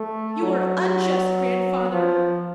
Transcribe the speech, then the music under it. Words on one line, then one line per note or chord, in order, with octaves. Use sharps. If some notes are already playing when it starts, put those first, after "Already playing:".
You are unjust, Grandfather.
Already playing: A3
F#3
F#3
F3